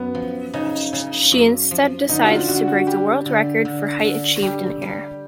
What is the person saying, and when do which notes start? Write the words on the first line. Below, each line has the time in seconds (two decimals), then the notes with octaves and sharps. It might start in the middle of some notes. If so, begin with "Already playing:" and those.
She instead decides to break the world record for height achieved in air.
Already playing: F#2 B3
0.15 F3
0.54 C#3 D#4
0.93 C#3
1.32 F#2
1.71 F3
2.09 D3 D#4
2.23 F#4
2.28 F4
2.48 D3 F#4
2.68 F#4
2.87 G3 G4
3.26 D3
3.65 D3
4.04 D3
4.42 G3 G4
4.82 G3